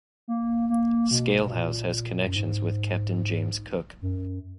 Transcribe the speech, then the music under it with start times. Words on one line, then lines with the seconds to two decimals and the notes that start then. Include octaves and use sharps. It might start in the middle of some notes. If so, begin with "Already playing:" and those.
Skaill House has connections with Captain James Cook.
0.28 A#3
0.70 A#3
1.11 B2
1.43 B2
1.52 A#2
2.27 F#2
2.36 G#2
4.01 F#2